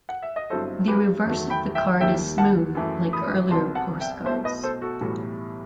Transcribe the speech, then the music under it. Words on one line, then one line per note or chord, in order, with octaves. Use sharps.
The reverse of the card is smooth, like earlier postcards.
F#5
E5
D#5
G1 G2 F#3 C4 E4 A4 C5
G4 B4
E2 D#3 F#3 A3
G5 B5
E5 G5
D#2 D#3 G3 E5 G5
F#5 A5
F#2 E3 A3
B5 D#6
C2 C3 F#3 B3 A5 C6
F#5 A5
E5 G5
B1 B2 A3 E4 C5 E5
B4 D#5
A4 C5
F#4 A4
B1 A2 E3 G3